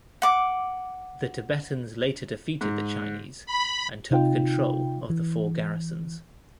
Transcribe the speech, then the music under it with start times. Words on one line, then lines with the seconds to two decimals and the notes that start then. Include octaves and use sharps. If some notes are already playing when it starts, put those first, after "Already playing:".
The Tibetans later defeated the Chinese and took control of the Four Garrisons.
0.22 F#5 D6
2.61 G#2
3.46 B5
4.11 C3 D#4 F4 G5
5.10 E3